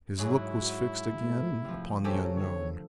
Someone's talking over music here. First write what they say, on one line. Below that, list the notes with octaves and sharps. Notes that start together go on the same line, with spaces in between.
His look was fixed again upon the unknown.
G#2 F#3 E4 G#4
F#4
A3
C3 F3
F#3 C#4 G4 A4 A#4 C5
D3 C#5